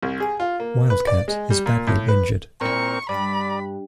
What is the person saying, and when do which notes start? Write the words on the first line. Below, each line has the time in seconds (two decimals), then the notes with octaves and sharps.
Wildcat is badly injured.
0.03 C2
0.20 G#4
0.40 F4
0.60 A#3
0.90 B4
1.07 D5
1.28 G#3
1.50 G3
1.66 A#2
1.87 A2
2.08 B4
2.61 A#2 C4 E4 A#4 C#6
3.09 G2 D5 B5